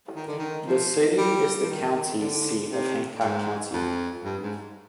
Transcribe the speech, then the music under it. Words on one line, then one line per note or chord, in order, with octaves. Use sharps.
The city is the county seat of Hancock County.
D#3
D3
D#3
F3
G3
F3
D#3
D3
C3
G#2
F2
G2
G#2